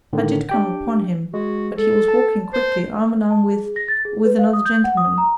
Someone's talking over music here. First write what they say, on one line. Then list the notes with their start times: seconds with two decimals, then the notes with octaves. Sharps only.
I did come upon him, but he was walking quickly, arm-in-arm with--with another gentleman.
0.13 A2 D3 D#3
0.49 D4 G4 G5
1.34 G#3 F#4
1.78 A4
2.08 A5
2.54 C5
3.30 A5
3.52 G#4
3.76 A#6
3.88 A6
4.05 G#4
4.25 B4
4.39 F5
4.53 D#6
4.65 G6
4.84 F#5
4.97 D#6
5.18 A#5